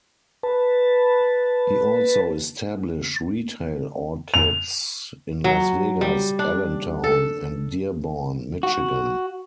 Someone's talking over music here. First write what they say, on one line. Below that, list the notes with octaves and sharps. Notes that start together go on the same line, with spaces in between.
He also established retail outlets in Las Vegas, Allentown, and Dearborn, Michigan.
B4 A5
F7
F#3
G3
D4
A4
F#4